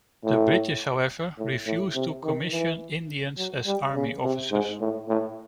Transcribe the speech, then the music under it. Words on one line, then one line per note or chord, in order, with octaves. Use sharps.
The British, however, refused to commission Indians as army officers.
A2
A2
A2
C3
D#3
E3
F#3
G3
C#3
C3
G#2
A2
A2